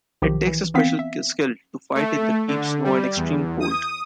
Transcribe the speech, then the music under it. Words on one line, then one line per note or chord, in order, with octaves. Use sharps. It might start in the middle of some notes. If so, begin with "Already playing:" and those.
It takes a special skill to fight in the deep snow and extreme cold.
B1 D#3 F3 G4
E3
E3 B3 C4 F5 B6
E5
A3
D3
G3
E2
D#6